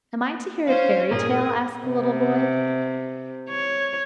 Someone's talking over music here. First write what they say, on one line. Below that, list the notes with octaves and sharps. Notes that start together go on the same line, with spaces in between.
"Am I to hear a fairy tale?" asked the little boy.
C#4 C5 F5
G2 A#2 A#3 G#4 A#4
C3
C#5